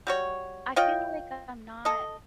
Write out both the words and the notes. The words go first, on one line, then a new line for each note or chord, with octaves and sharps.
I feel like I'm not
G3 F#4 C#5
F4 C#5 D#5 G5
A4 D#5